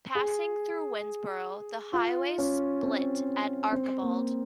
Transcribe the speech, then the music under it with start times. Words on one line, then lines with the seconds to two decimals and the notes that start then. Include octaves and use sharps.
Passing through Winnsboro the highways split at Archibald.
0.15 G#4
1.93 F4
2.38 C#4
2.83 C4
3.72 C4
4.02 A#3